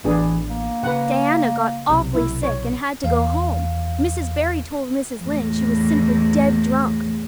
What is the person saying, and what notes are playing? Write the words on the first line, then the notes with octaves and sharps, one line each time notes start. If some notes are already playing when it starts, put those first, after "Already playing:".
Diana got awfully sick and had to go home. Mrs. Barry told Mrs. Lynde she was simply dead drunk.
A1 E3 B3 D4 G#4
A#3
C#3 B4 F#5
B1 C3
E4
C#5
E2 F5
E2 A2